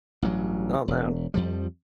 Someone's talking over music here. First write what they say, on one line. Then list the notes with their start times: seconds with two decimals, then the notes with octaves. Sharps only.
Oh man.
0.22 A1 G2 F#3
0.88 E1
1.34 F2 F3 G3